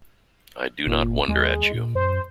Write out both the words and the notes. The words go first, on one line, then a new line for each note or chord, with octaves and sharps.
I do not wonder at you.
G1 A#2
D#2 G#3
A#2
F#2 C5